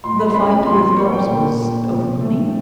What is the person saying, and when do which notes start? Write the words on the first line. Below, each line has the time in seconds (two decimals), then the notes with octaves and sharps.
"The fight with Phelps was over money?"
0.04 A2 C6
0.19 B5
0.28 C6
0.34 C#4 B5
0.51 B5
0.65 F3 C6
0.81 C6
0.97 A#3 C#6
1.13 G5
1.28 A#2
1.59 A#2
1.90 F3
2.21 A3